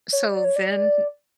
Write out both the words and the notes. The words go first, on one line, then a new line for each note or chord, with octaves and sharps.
So then,
C#5
D5
C#5
D5